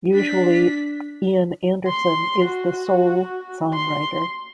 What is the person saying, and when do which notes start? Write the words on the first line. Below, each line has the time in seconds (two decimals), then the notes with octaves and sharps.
Usually Ian Anderson is the sole songwriter.
0.13 D4 B6
1.87 C6
2.46 F#4
3.74 C6